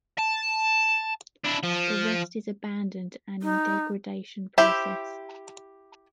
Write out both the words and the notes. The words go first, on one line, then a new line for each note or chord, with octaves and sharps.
The rest is abandoned and in degradation process.
A5
D4 E4
F3
D#4
E4 G4 C5 E5